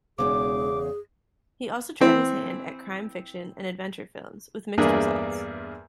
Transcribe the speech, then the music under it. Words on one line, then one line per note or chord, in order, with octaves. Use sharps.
He also tried his hand at crime fiction and adventure films, with mixed results.
E1 E2 A2 C#3 G#4 D6
E3 C4
E2 G2 A#3 D4 G#4 E5